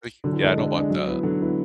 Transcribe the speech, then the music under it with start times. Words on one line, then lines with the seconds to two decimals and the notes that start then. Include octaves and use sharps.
Ugh, yeah, I don't want that.
0.24 D3 F#3
0.33 E3
0.41 D3 G#3 D4
0.58 D3
0.74 G#3 D4
0.90 F#3
1.07 B3 E4
1.23 D3 F#3
1.41 B3 E4